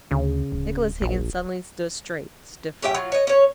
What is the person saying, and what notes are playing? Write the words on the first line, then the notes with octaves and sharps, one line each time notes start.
Nicholas Higgins suddenly stood straight, stiff up.
D2 C#3
D1
A#1
C#4 G4 E5 G5
F#3 F4
C#5 D#5
C#4 C#5